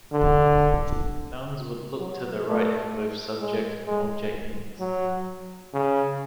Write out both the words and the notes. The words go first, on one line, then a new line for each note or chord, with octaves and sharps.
Nouns would look to the right for both subject and object links.
D3
F#3
A3
G#3
G#3
F#3
C#3